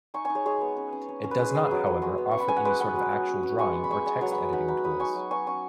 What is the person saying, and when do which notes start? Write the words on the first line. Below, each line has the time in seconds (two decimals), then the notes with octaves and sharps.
It does not however, offer any sort of actual drawing or text-editing tools.
0.14 D#4 G#5 C#6
0.25 D#4 G#5 C#6
0.35 G#4 C#5
0.45 G#3 G#4 C#5
0.61 B3
0.77 C#4
0.92 C#4
1.09 C#4
1.24 C#4
1.31 B4
1.39 G#3 G#4
1.55 B3 G#4
1.71 F#3
1.87 B3
2.02 G#3 F#4
2.18 B3
2.31 C#4 C#6
2.40 B5
2.48 C#4 G#5
2.57 F#5
2.65 G#3 B4 D#5
2.80 B3 F#5 B5
2.96 F#3
3.12 B3
3.28 C#4
3.43 C#4
3.59 G#3 G#5 C#6
3.75 B3
3.84 B5
3.90 G#3 G#5 C#6
4.06 B3 D#5 G#5
4.21 F#3 C#5 F#5
4.31 F#5 B5
4.38 B3
4.53 D#4 F#5 B5
4.68 D#4 F#5 B5
4.84 D#4 B5 D#6
5.00 D#4 G#5 C#6
5.15 F#3
5.31 B3 G#5 C#6
5.47 C#4 G#5 C#6